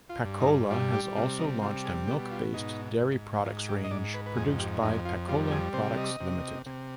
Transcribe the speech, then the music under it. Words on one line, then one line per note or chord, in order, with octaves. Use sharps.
Pakola has also launched a milk-based dairy products range produced by Pakola Products Limited.
F4
G2
D#4
G3 F4
G4
C3 F4
D#4
G3 F4
G#4
B2 G4
F4
G#2 D#4
G#2
G#2 F4
G4
D#5
G#2 D5
B4
B4
F2 G#4
G4
F2 D#4
F4
G3 F4
G#4
C3 C5
D#5
C3
C3